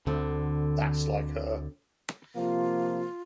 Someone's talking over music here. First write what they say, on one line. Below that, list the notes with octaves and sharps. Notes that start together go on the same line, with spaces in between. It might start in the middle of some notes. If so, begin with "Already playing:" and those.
That's like her.
D2 D3 C4
C3 F3 A#3 F4